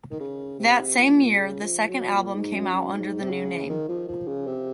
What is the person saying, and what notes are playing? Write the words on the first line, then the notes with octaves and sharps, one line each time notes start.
That same year, the second album came out under the new name.
D#3
C#3
C3
A#2
C#3
F3
F#3
A#2
G#2
F#2
F#2
G#2
C3
C#3
D#3
F3
F3
C#3
C3